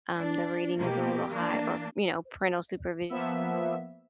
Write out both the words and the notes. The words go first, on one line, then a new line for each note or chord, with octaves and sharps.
um, the rating is a little high or, you know, parental supervision,
D4
B2 A#3 G4
E3 A#3 D4
F3 A#3 B3 E5